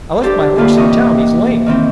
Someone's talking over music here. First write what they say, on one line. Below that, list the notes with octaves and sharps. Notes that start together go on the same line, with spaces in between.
"I left my horse in town--he's lame."
D4 G4 A4 C5
A2 D3 A#3 F4 B4
C3 E3 D#5 G5 C#6
D#3 E3 C4